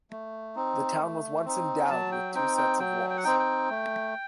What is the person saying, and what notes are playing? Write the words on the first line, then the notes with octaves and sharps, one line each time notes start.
The town was once endowed with two sets of walls.
A3
C4 D#4
A3
C4 D#4
F#3 A5
G5
C4 D#4 G5
G5
F#3 G5
G5
F#5
C4 D#4 G5
G5
A3